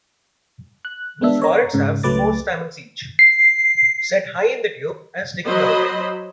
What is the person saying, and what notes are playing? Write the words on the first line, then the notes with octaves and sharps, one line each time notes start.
The florets have four stamens each, set high in the tube, and sticking out.
F#6
G#3 B3 D4 E5
C#5 A#5
G#2 C#3
C#2 F#3 A3 B4 D6 A6
C7
F#3 C5 D#5 B5